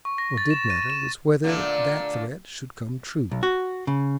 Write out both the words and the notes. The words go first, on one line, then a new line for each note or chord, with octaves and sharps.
What did matter was whether that threat should come true.
C#6
A#6
A6
E7
D#7
E7
A#2 D3 A3
B1
F#4
C#3